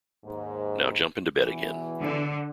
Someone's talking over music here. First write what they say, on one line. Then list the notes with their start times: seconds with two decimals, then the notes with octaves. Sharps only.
Now jump into bed again.
0.24 D#2 G#2
1.38 E2 B2 E3
2.02 D3